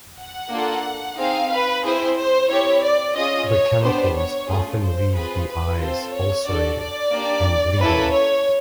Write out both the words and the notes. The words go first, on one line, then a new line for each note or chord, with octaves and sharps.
The chemicals often leave the eyes ulcerated and bleeding.
F#5
A#3 D4 F4 A4
C4 D#4 G#4 F5
B4
C4 E4 G#4 C5
C5
C4 E4 G4 C#5
D5
C#4 F4 G#4 D#5
C#5
B3 D4 G4 C5
C#5
A3 C#4 F4 G#4
C5
C4 F4 G#4 B4
B4
C4 F4 A4 C5
C#5
D4 F#4 A4 D5
D5
A#3 D4 G4
A#3 C#4 E4 A4 B4
C#5